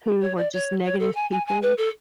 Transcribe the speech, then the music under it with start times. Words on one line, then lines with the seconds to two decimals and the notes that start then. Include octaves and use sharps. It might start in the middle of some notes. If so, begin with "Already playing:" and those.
who were just negative people,
0.22 C#5
0.37 D5
0.53 C#5
0.84 C#5
0.99 A4
1.15 G#5
1.31 G#5
1.47 G#5
1.62 B4
1.78 A4